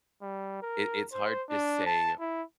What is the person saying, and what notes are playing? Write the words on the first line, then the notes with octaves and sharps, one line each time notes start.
it it's hard to say
G3
A#4
C5
D4
A5
E4